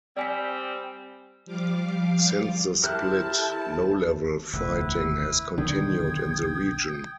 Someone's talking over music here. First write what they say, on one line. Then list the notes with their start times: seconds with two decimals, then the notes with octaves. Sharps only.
Since the split, low-level fighting has continued in the region.
0.17 G3 C4 D5 G#5 B6
1.46 F3 G3 F4 F5 D6
2.84 E4 G4 A4 A#4 C5 E5 A5 F#6
4.53 E1 D2 C3 E4 B4
5.58 B1 D3 D#3 D4 G5 D#6 G#6